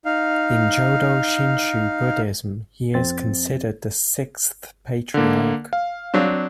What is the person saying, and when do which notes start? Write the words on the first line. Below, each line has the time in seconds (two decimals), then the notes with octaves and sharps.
In Jodo Shinshu Buddhism, he is considered the Sixth Patriarch.
0.05 D#4 F5
2.94 F2 C4 A6
5.14 D3 A#3
5.73 F5
6.14 F#3 C4 D4